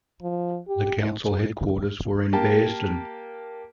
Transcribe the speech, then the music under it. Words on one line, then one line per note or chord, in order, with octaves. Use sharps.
The council headquarters were in Bearsden.
F3
G4
A#3 G4 A5